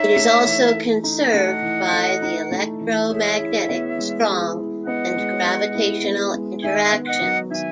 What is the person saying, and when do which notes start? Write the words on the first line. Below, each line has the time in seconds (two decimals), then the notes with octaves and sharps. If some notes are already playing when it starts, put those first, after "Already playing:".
It is also conserved by the electromagnetic, strong, and gravitational interactions.
Already playing: D#4 A4 C#5 E5
0.16 A3
0.46 E3
0.75 A4
1.04 D#4
1.33 A3 D#5 F#5
1.62 E3
1.92 A4
2.22 D#4
2.51 A3
2.81 E3
3.10 G#4 C#5 E5
3.40 E4
3.69 B3
3.98 G#3
4.28 G#4
4.57 E4
4.86 B3 D#5 F#5
5.16 G#3
5.45 G#4
5.75 E4
6.04 B3
6.34 G#3
6.63 D#3 E5 G#5
6.92 B3
7.07 D#5 F#5
7.21 F#3
7.51 D#3 E5 G#5